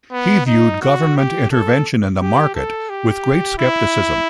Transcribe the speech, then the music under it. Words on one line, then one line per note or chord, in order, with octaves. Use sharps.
He viewed government intervention in the market with great skepticism.
B3
D#4
F#4
G4
A4
G4
A4
G4
E4